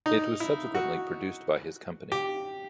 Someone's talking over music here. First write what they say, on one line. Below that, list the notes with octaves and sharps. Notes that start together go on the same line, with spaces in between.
It was subsequently produced by his company.
D#4
E4
F#4
G4